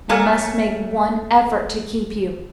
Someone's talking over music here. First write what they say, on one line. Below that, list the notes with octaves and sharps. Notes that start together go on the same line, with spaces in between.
I must make one effort to keep you....
A3 A#3 A4 A#4 C#5 G#5